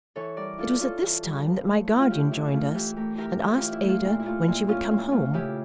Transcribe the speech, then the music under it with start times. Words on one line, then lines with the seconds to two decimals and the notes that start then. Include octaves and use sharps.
It was at this time that my guardian joined us and asked Ada when she would come home.
0.16 E3 A4 C#5
0.37 G3 A#4 D5
0.58 E4 F4 A4
0.78 C#4 F4 A4
1.02 E3
1.24 G3
1.45 F3
1.67 A3
1.88 E4
1.99 F4
2.10 C#4 E4 G4
2.31 F3 E4
2.53 A3 F4
2.74 E3 E4 G4
2.96 A3 G4 A#4
3.18 E4 G4 A#4
3.40 C#4 E4 G4
3.56 F4
3.62 E3
3.72 E4
3.83 A3
3.88 F4
4.04 A#2 E4
4.20 E4
4.26 A3 F4
4.48 A#2 E4
4.69 C#4 F4
4.91 A#2 E4
5.12 A3 F4
5.33 C#3 E4 G4